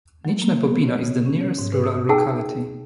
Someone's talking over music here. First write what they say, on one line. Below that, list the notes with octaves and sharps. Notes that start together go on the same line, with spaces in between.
Nizhneye Bobino is the nearest rural locality.
F#3
A#3
B3
C#5
C#3
C#4
C#5
G#2
B4
D#6
D#4 G#4 F#5 G5 A5 E6